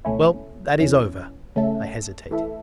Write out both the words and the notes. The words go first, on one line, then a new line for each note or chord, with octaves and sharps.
"Well, that is over." I hesitated.
C#2 B2 A3 C#4 E4
E2 C#3 E3 C#4
C#3 A3 C#4 A4 E5
E3 A3 E4 A4 E5